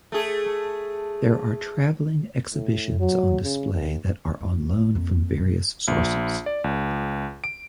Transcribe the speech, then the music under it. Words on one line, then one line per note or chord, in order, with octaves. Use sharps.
There are traveling exhibitions on display that are on loan from various sources.
A3 G#4
A2
F#3
C#3
D#2
G#3 D4
D#2
G1
F2 A#3
B2 F#3
A#1
D5
C#2
D7